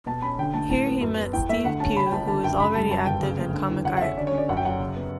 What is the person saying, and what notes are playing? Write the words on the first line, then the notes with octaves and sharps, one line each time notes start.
Here he met Steve Pugh who was already active in comic art.
B2 A5
C#4 B5
D3 G5
A3 A5
A2 A5
B3
F#2
B3
E2 G5
A3 E5
D3 F#5
C#4 A5
C#3 B5
G5
C#2 A5
D3 A5
F#2 G5
C#3 B5
G3 A5
F#2 A5
G1 G5
C#3
A3
D3
E2
C#3 F#5
F#5
C#4 E5
D3 D5
C#5
C#4
D5
F#2 F#5
G5
F#3 F#5
C#3
B3